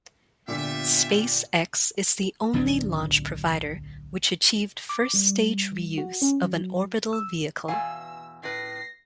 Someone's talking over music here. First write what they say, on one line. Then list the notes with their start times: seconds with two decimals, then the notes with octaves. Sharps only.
SpaceX is the only launch provider which achieved first-stage reuse of an orbital vehicle.
0.48 A#2 D3 B3 F4 G4 E5
2.53 D1 B1 F2 D4
4.89 D6
5.14 G3
5.98 F#4
6.22 C#4
6.43 F#3
7.13 E6
7.68 E2 B2 F5 G#5 E6
8.43 A2 B4 A#6 C7